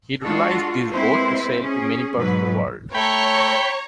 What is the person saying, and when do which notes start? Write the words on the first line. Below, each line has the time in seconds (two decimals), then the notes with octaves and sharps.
He utilized this boat to sail to many parts of the world.
0.23 G#3 D4 F4 F#4 A4
0.93 G#3 A#3 C4 E4 B4 C5
1.59 C#4 G#4
2.16 G#2 B2 F#3 B4
2.95 A3 C#5 G5 A#5 B5